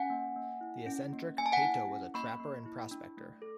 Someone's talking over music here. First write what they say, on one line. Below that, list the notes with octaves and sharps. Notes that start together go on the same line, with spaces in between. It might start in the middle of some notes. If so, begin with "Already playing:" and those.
The eccentric Peyto was a trapper and prospector.
Already playing: C#4 F#5 G#5
A#3
A#3
E4
C#4
A#3
A#3 G#5
A5
F#5 G#5
E4
C#4
A#3 B5 C#6
A#3
E4
D4
A3
A4